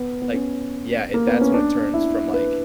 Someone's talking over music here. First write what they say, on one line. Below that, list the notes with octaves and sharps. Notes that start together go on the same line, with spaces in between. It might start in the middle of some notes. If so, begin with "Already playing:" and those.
like Yeah, it that's when it turns from like
Already playing: B3
B3
C#4
A#3
B3
C#4
D4
E4
B4